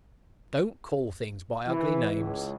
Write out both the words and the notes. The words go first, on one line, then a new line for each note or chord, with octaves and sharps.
"Don't call things by ugly names."
E3
C#2